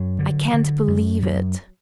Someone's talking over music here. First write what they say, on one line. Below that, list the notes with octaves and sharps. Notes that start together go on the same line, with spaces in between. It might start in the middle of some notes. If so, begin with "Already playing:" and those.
I can't believe it!
Already playing: F#2 F#3
D3
D3
F#2
F#2